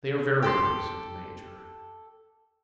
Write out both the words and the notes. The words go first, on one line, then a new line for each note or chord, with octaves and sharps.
"They are very pretty," said the major.
G4 A4 C6